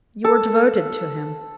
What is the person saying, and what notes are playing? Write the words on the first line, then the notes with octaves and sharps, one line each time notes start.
"You are devoted to him."
A4